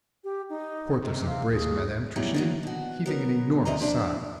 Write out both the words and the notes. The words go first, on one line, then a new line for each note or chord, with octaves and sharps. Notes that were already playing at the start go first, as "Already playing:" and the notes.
Porthos embraced Madame Truchen, heaving an enormous sigh.
G4
D#4
C3
F5
D#2 G#4
E2 F#3 G3 D#4 E4 A#5
F#3 A#3 D#4
B2 F#4
F#3 B3 A#4
C3 E3 D5 D#5 A#5
F3 D4 E4